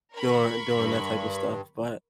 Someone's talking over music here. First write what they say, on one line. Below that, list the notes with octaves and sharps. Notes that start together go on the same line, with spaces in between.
doing doing that type of stuff, but
A#4 B5 C#6
G2